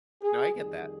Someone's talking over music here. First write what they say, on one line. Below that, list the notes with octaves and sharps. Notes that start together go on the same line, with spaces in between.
No I get that.
G#4
F2 D#3 G3 G#4